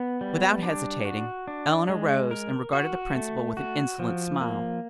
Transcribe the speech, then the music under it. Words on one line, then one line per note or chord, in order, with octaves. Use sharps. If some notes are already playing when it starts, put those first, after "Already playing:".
Without hesitating, Eleanor rose and regarded the principal with an insolent smile.
Already playing: B3
G3
D4
F#4
D4
G#3
A#4
F#4
A3
F#4
F3
A#3